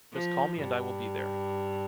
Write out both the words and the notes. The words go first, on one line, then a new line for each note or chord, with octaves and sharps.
Just call me and I will be there.
F3
G2